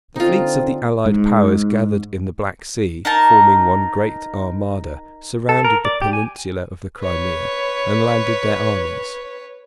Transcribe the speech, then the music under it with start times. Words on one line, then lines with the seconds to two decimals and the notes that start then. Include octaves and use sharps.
The fleets of the allied powers gathered in the Black Sea, forming one great armada; surrounded the peninsula of the Crimea, and landed their armies.
0.16 D3 C4 D#4 F4
1.06 G#2
3.05 D#4 A#4 A5
5.49 A4
5.65 A#4
5.85 D5
6.02 G4
6.13 G#5
6.99 B4 C#5